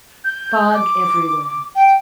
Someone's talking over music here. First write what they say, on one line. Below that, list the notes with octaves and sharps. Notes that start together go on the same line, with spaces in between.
Fog everywhere.
G6
D6
G5